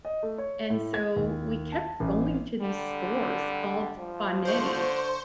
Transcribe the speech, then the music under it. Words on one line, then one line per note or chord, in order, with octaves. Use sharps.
and so we kept going to these stores called Paneri,
D#5
A3
C#5
A2
G#6
D#2
A5
A1
D3 G3
F3
D3 C5 C#6